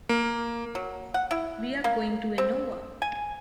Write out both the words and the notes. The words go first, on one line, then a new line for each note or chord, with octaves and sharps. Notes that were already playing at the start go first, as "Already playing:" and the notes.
We are going to Ènova.
A#3
F#3
F#5
E4
A#3
C4
G#5